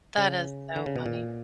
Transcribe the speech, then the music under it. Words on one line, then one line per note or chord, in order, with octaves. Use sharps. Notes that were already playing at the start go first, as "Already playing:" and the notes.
That is so funny.
C#3
D3
C#3
B2
A#2